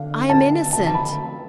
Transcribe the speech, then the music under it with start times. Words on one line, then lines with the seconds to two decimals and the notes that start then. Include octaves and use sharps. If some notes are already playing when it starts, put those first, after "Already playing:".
"I am innocent."
Already playing: D3 F5
0.30 A5
0.73 C#3 A5
0.87 F3 A5
0.95 D3 B5